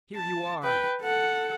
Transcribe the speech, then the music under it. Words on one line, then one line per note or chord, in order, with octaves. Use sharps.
"Here you are!"
A5
B4 G5
A4 F#5